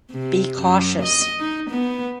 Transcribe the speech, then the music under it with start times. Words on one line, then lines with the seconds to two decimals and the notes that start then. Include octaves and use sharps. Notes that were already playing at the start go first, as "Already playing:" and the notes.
Be cautious.
0.12 C3
0.59 F#2
1.03 D#5
1.39 D#4
1.71 B3